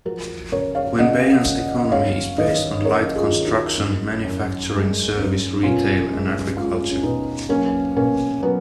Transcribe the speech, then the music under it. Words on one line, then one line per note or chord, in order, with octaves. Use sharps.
Queanbeyan's economy is based on light construction, manufacturing, service, retail and agriculture.
F3 F#4 A#4
C#3 A#4 C#5
C#5 F5
C#3 D#5 F#5
C#3
F#2 C#5 F5
D#3 B4 D#5
F#2 A#4 C#5
F4 G#4
D#3
D#4 F#4
F#2
F#2
G#3
F#2
B2 C#4 F4
G#3
G#3 C#4 F4
C#4
B2 B3 D#4
F#3 A#3 C#4
B2 A#3 C#4
F#3 B3